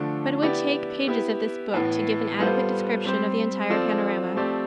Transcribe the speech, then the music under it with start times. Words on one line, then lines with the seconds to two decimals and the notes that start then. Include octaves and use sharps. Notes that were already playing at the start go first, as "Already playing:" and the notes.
But it would take pages of this book to give an adequate description of the entire panorama.
Already playing: D3 F3 A3 D4
0.42 B3 E4 G4 D5
1.08 B3 E4 G4
1.74 A2 E3 B3 E4
2.38 G3 B3 F4 A4 C5
3.05 G3 C4 G4 C5
3.70 F3 C4 F4 A4 D5
4.35 F3 A3 C4 G4 D5